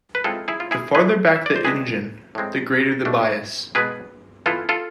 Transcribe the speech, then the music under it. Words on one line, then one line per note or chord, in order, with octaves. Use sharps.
The farther back the engine, the greater the bias.
B4
C3 G#3 C4 E4 F4 A4
E4 G#4
F4
E4 G#4
A2 E3 B3 E4 G#4 B4
F5
E5
D5
C5
C3 G#3 D4 G#4 B4
A2 G#3 C4
B2 A3 D4
B2 G#3 B3 G#4 B4
E3 B3 E4 F4 A4
F4 A4